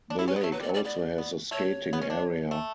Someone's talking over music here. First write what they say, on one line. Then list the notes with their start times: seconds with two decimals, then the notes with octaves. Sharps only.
The lake also has a skating area.
0.10 D4
0.19 E4 G4
0.28 C#4 B4
0.36 B3
0.40 C#5
0.44 A3
0.52 F#3 B4
0.60 G3
0.62 D5
0.69 F#3
0.74 D5
0.77 G3
0.85 B3 D5
1.18 B3
1.51 A3 C#5
1.93 B3
2.02 C#4
2.10 D4
2.51 A3